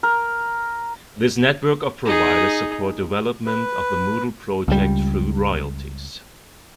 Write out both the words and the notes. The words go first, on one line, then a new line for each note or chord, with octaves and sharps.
This network of providers support development of the Moodle project through royalties.
A#4
D#4 G#4
B4
C#2 G3